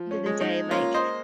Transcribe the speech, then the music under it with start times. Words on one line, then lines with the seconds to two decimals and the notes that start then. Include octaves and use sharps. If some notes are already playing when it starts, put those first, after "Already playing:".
of the day, like,
Already playing: F3
0.11 C#4
0.26 G#3
0.41 D#4
0.71 A#3 C#4 F4
0.94 C5 D#5